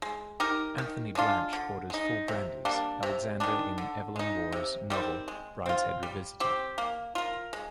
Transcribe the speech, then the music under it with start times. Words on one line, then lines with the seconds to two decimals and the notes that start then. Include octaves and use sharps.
Anthony Blanche orders four brandies Alexander in Evelyn Waugh's novel Brideshead Revisited.
0.02 G#3
0.40 D#4 G4 A#4
0.78 D#3
1.15 G#3 D4 F4
1.53 D3
1.90 G#3 D#4
2.28 C3
2.65 G3 A#3 D4
3.03 C3
3.40 D#3 G#3 D4
3.78 D3
4.16 G#3 D#4
4.52 C3
4.90 D#3 G3 C4
5.28 G#3
5.66 C4 F4
6.03 G3
6.40 C4 G4
6.78 A#3
7.15 F4 A#4
7.53 G#3